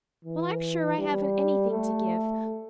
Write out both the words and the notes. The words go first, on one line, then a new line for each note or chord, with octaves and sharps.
Well, I'm sure I haven't anything to give.
E3
G3
A3